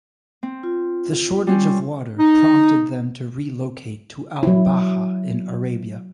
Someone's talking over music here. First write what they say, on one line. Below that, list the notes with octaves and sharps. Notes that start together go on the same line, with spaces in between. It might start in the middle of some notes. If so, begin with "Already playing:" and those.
The shortage of water prompted them to relocate to Al Baha in Arabia.
C4
F4
G3 C4 C#4
D#4
F#3 E4